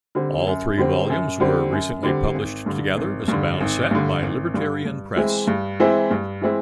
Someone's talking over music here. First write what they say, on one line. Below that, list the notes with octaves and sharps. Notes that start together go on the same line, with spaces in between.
All three volumes were recently published together as a bound set by Libertarian Press.
D3 G3 C4
F#2
D3 G3 C4
F#2
D3 G3 C4
F#2
D3 G3 C4
G#1
G2 D3
G#1
G2 D3
G#1
G2 D3
G#1
G2 D3
G2
E3 G#3 C4 E4
G2
E3 G#3 C4 E4
G2
E3 G#3 C4 E4